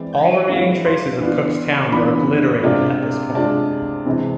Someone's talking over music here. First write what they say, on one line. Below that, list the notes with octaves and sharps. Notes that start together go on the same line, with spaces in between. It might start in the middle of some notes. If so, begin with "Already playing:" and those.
All remaining traces of Cooke's town were obliterated at this point.
Already playing: E3 G#3 C4 E4 D5
E3 G#3 C4 E4 F5
C6
E3 B3 D4 F4
E3 B3 D4 F4 B5
C3 G#3 D4 F4
C3 G#3 D4 F4 A5
C3 E3 G#3 C4